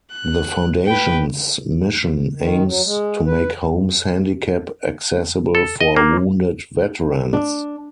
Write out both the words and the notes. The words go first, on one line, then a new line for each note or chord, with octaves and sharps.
The foundation's mission aims to make homes handicap accessible for wounded veterans.
F#6
B4 G5
D#3
F#3
G#3
B4
A4
D#5
A#3
D4